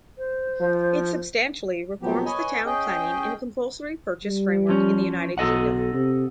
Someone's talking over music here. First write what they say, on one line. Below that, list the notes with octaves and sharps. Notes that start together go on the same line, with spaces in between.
It substantially reforms the town planning and compulsory purchase framework in the United Kingdom.
C5
F3
A#2 F3 F#3 B3 G4
B4 C#5 D#5 G#5
C#4 G#4 D#5 G5
G3
F3 C#4
B1 A4 D#5 F#5
C3